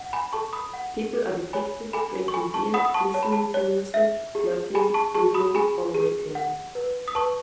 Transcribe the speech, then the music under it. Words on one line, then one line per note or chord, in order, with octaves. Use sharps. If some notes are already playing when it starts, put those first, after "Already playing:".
People are depicted drinking beer, listening to music, flirting, reading, or waiting.
Already playing: F#5
G#5 B5
A4 A5 C#6
B5 D#6
F#5
A4
C#5 G#5 B5
A4 G#5 B5
C#6
A4 G#5 B5
A5 C#6
F#5 B5 D#6
D#6
A5 C#6
C#5 A5
B5
A5
C#5
E5
G#4
G#4 G#5 B5
A5 C#6
G#4 A5 C#6
B5 D#6
G#4 G#5 B5
G#4
F#5
B4
D#6
B4 A5 C#6